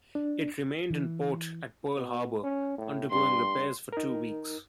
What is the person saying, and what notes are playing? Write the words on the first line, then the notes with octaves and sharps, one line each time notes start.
It remained in port at Pearl Harbor undergoing repairs for two weeks.
D4
E3
B2
C#4
A2
G2 C6
D#4 A#4